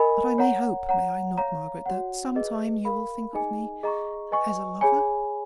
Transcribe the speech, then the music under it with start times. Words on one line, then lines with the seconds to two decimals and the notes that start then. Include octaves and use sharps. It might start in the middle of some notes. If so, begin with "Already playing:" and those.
'But I may hope, may I not, Margaret, that some time you will think of me as a lover?
Already playing: A#4 D#5 G#5 B5
0.38 C#5 F#5 A#5
0.89 C#5 F#5 A#5
1.38 C#5 F5 A#5
1.86 F#4 C#5 F#5
2.35 G#4 B4 D#5
2.85 A#4 F5 B5
3.33 D#4 G#4 D#5 G#5
3.83 G#4 D#5 A#5 C#6
4.31 B4 D#5 G#5 C#6
4.81 G#4 C#5 G#5 B5